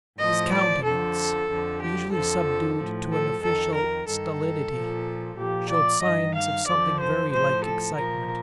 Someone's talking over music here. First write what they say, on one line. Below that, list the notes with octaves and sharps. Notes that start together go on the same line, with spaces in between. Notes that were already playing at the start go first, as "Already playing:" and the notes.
His countenance, usually subdued to an official stolidity, showed signs of something very like excitement.
A2 F3 D#5
D5
F2 D3 F3 A4
F2 D3 F3
G4
F2 D3 F3 A4
A2 F3
A4
F2 D#3 A4
A#4
G2 D#3 A4
A#2 F3
A#2 F3 G4
D5
G2 D#3 D#5
F5
F2 D3 F3 D5
C5
A2 F3 C5
A4
A#2 F3 A#4